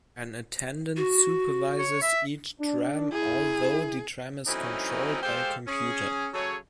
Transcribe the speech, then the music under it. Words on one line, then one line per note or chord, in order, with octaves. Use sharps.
An attendant supervises each tram, although the tram is controlled by a computer.
F#4
C#5
E5
D4
E4 G#4
E3 F#3 A3 C4 C#4 D#4
G#3 G4 A4 C5 F5 G5
C#4 G#4
C#3 F#3 G#4 A4 C#5